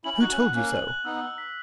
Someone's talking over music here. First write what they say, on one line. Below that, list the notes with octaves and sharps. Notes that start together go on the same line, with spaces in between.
"Who told you so?"
C#4 E4 F#7
D#4 F#4 F#6
C#4
B3 D#4 F#6
A#3 C#4 F#6
F#7
F#6
B3 D#4 E6
E6
B6